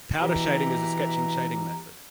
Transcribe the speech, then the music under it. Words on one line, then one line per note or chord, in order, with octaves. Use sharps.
Powder shading is a sketching shading method.
B2 E3 G4 A#5